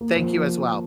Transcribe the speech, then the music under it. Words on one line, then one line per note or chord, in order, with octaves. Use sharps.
Thank you as well.
A#3
F3